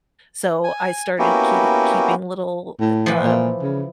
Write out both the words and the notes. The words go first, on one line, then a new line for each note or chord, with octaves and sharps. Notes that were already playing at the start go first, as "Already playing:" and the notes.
so I started keeti keeping little, eh, uh,
G#5
A#3 B3 C#4 E4 F#4 G4
A2
E3 F3
A#2
C#3